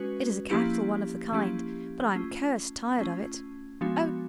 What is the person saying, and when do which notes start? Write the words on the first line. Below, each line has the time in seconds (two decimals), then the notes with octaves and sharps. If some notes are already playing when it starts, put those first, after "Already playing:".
It is a capital one of the kind, but I am cursed tired of it.' 'Oh!
Already playing: G#3 C#4 F#4 B4
0.51 F3 A#3 C#4 E4 G4
1.32 F3 A#3 C#4 E4 G4
2.16 A3 C#4 F4
2.98 A3 C#4 F4
3.81 F3 G#3 B3 D4 F#4